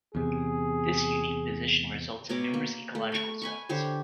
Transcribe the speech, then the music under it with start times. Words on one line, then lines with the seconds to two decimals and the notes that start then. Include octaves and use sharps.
This unique position results in numerous ecological zones.
0.15 E2 C3 G#4
2.29 B2 C#5 A#5 D6
2.54 A#3
2.95 A3
3.12 B5 C#6
3.42 G#5 B5 C#6
3.69 D3 G4 C5 C#5